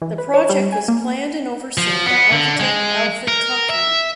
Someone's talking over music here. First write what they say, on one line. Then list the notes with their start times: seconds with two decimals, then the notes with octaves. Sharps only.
The project was planned and overseen by architect Alfred Cochrane.
0.02 E3
0.18 B4
0.34 C#5
0.49 G3
0.72 G#5
0.88 A#3
1.78 F3
2.06 B3
2.32 D3
2.60 G#3
3.28 A#4
3.70 E5